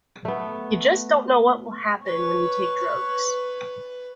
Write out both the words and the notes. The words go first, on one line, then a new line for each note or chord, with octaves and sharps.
You just don't know what will happen when you take drugs.
A3 B3
B4 C#5